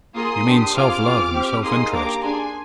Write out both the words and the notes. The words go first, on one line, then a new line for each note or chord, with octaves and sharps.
You mean self-love and self-interest.
A#3 F4 G#4 C6 D#6
D4 G4
C4 F4 G#4 D6 F6
C4 F4 G#4
C4 G4
A#3 D#4 G#4 C6 D#6
A#3 D4 G4 A#5 D6
D4 G#4 G#5 C6